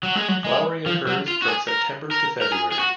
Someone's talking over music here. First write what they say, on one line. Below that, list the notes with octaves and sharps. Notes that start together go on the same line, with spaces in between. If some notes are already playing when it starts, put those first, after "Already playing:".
Flowering occurs from September to February.
F#3
G#3
F#3
G#3
F3
F#3
F4
F#4
G#4
A#4
A#4
A#4
G#4
G#4
F#4